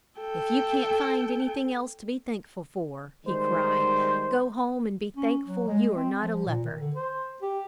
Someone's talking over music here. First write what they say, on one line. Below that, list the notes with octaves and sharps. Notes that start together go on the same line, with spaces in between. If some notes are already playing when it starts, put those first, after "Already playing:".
"If you can't find anything else to be thankful for," he cried, "go home and be thankful you are not a leper!"
A4 G5
D#3 G3 G#3 C5
C#4
F#3
G#3
C4
F3
A#2
D#3
D3
C5
G4